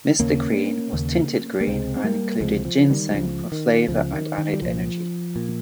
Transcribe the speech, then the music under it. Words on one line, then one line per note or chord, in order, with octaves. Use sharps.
Mr. Green was tinted green, and included ginseng for flavor and added energy.
D#2 C#3 A#3 C#4
D#2 C#3
A#3
C#2 C3 G#3 C4
C4
G3 A#3
C#2 C3 F3 G#3
F3
D#3 G3
G3
C#2 C#3 F3
D#3
C#2 C#3 F3
D#3
D#3
G3
C2 A#2 F3
A#2